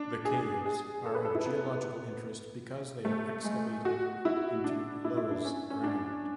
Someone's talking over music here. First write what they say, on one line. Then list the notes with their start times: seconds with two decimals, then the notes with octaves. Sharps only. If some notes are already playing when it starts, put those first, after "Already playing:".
The Caves are of geological interest because they are excavated into loess ground.
Already playing: D4
0.25 G#4
0.66 G#4
1.06 A4
1.15 B4
1.25 A4
1.35 E4
1.46 B3
3.05 A3
3.44 G#3
3.85 F#4
4.25 E4
4.64 D4
5.05 E4
5.17 E4
5.31 D4
5.45 C#4
5.70 C#4
5.84 D4